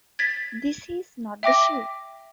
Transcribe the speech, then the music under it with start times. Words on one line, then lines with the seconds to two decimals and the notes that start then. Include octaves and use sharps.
This is not the shoe.
0.19 G#6 A6 B6
1.43 E5 G5 D6 A#6